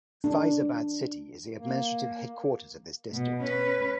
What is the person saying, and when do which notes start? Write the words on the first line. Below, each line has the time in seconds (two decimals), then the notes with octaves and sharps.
Faizabad city is the administrative headquarters of this district.
0.24 D4
1.59 A#3
3.12 B2
3.42 C#4 B4